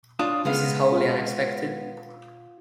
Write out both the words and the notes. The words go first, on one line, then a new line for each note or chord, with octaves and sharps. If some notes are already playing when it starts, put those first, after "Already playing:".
This is wholly unexpected.
D4 F4 C#5 D#6
C#3 G#3 B3 F5
F4